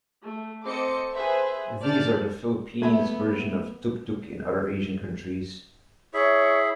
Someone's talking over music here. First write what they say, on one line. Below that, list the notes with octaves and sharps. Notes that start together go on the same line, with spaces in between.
These are the Philippines' version of tuk-tuk in other Asian countries.
A3
C4 A4 C5 D#5 D6 C#7
G#4 B4 C5 E5
D5 A5 F6 G6 A6
A3 B3 E5 B5 G#6
E4 G#4 C#5 E5